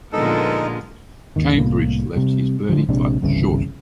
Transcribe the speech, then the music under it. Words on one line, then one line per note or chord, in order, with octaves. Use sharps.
Cambridge left his birdie putt short.
A#2 D3 F3 G#3 B3 D#4 A4 A#4
D#2 G#2 D#3
C2 A2 A#3
C3 G3
D3 F3
A#1 C3 G#3 D4
G1 C2 C#3 E3